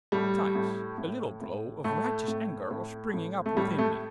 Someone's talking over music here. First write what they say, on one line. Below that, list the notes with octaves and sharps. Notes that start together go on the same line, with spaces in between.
Besides, a little glow of righteous anger was springing up within me.
A2 G3
A2
A2
A2
A2 A3
A2
A2
A2
A3
A2 G3
A3